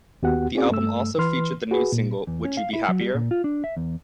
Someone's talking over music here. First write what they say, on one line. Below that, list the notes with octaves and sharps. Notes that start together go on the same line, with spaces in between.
The album also featured the new single Would You Be Happier?
D#2 B3 F#4 G4 F#5
C4 C#4 E4 F#4 G#4 D5
G2 A3 E6
E3 B4 C6 F6
F#4 G#4 B4
A#2
E2
C#4
F5
E4
F#3
G3
A#2
F4
D4
E5
E2